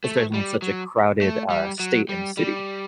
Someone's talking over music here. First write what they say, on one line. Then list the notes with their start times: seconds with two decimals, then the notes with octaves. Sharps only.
especially in such a crowded, uh, state and city,
0.04 A3
0.34 G3
0.62 F#3
1.21 A3
1.50 G3
1.80 F#3
2.09 G3
2.37 G3